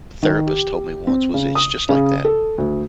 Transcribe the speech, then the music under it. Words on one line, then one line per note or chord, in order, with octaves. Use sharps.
therapist told me once was it's just like that,
D#3
G4
C4
C#3
D#6
C#3
A4
D2